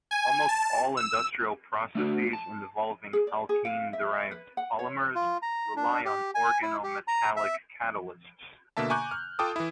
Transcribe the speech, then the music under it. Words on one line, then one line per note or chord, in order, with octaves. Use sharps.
Almost all industrial processes involving alkene-derived polymers rely on organometallic catalysts.
G#5
A5
E6
A3 D4 F#4
A5
G#4
D5
G#4
F5
E5
B4
F#5
C#5
F4
A#5
D4
G4
G#5
E4
G4
A#5
E5
B2 D3 A#3 E5 A5
G#5 A#5 C#6 D6 F#6 G6
F6
F4 A4 G5 A5 D6 D#6
E3 E4